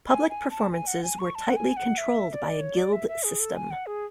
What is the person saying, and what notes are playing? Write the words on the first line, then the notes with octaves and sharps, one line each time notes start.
Public performances were tightly controlled by a guild system.
G#5
G#5
A5
G#5
F#5
G#5
C#6
A5
F#5
G#5
F#5
E5
E5
D5
C#5
D5
E5
E5
G#4
A4
G#5
F#5
G#4